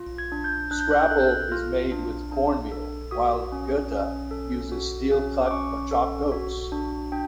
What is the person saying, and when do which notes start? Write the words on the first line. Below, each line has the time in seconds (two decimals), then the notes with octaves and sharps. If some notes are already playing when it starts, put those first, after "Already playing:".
Scrapple is made with cornmeal while goetta uses steel-cut or chopped oats.
Already playing: F4
0.18 G#6
0.32 D4
0.44 G6
0.71 D4 F#6
0.80 G6
0.91 F#6
1.01 G6
1.10 A4 F#6
1.20 G6
1.29 F#6
1.52 F4 F6
1.92 D4
2.32 D4
2.72 A4
3.11 F#4 D#6
3.52 C#4
3.92 C#4
4.31 A4
4.72 F#4
5.11 C#4
5.46 D6
5.51 C#4 C#6
5.91 A4
6.32 F#4
6.72 D4
7.12 D4 G5